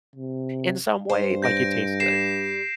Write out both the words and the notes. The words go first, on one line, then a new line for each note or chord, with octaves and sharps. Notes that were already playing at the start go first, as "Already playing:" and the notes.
in some way, like, it tastes good.
C3
G2 C5
G6 A#6 D7
G3 C7 E7